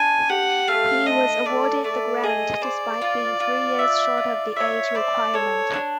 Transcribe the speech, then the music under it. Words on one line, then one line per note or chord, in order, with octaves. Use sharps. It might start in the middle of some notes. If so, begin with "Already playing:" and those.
He was awarded the grant despite being three years short of the age requirement.
Already playing: D4 G#5
G4 F#5
A3 F5
D4 D#5
A3 D5
A3 D5
G#4 D#5
C5 D5
F4
F4
E5
F4
C#5 E5
C5 D5
A4 C#5
D4